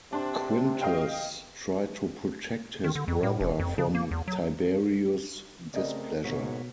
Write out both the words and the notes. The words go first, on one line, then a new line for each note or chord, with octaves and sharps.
Quintus tried to protect his brother from Tiberius' displeasure.
C3 D4 C5
D#5 F5 G5
D#3
D3
F2
A2
E1
F2
C#3
A#3
E2
F#3
C#3 A3 C4 A#4 D5 D#5
G#2 B2 A#3 F#4 C#5 B6